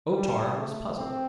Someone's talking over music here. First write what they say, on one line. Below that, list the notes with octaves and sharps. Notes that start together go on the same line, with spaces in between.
O-Tar was puzzled.
G3
A3
C4